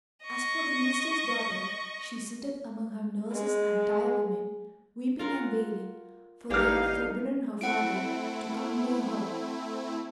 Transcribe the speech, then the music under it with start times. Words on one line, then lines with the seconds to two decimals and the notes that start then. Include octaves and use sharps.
As for the Minister's daughter she sitteth among her nurses and tirewomen, weeping and wailing; for they have forbidden her father to come near her.
0.24 D#5 C#6
3.33 G#3
5.19 F4 A#4 F#5
6.50 A1 E3 A#3 D#4 G4 D5 F5 F6
7.61 A3 C4 E4 F#5 D7